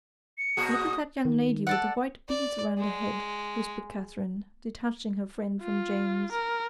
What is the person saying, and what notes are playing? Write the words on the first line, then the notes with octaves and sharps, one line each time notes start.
"Look at that young lady with the white beads round her head," whispered Catherine, detaching her friend from James.
C#7
A#2 F#4 G#4
D#6
D#3
A4 D5 F#5
D5
G#3
F4
A#4